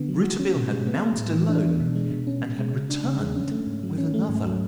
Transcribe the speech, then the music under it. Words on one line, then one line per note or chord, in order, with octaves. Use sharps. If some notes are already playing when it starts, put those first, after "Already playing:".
Rouletabille had mounted alone, and had returned with another.
Already playing: D3 B3
F#3
F#4
C#4
B2
G#3
B3
G#3
A2
E3
D4
B3
B2
G#3
B2
C#4
B2
G#3
C#3
D4
C#3
G#3
C#4
A3
G#2
F#3
C#4
A3
G#2
F#3